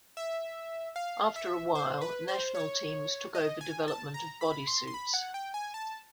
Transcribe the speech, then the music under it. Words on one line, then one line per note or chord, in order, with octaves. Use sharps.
After a while, national teams took over development of "body suits".
E5
F5
E5
C5
B4
C5
C#5
D#5
G#5
A5
A#5
B5
C6
C6
B5
F#5
G5
G#5
A5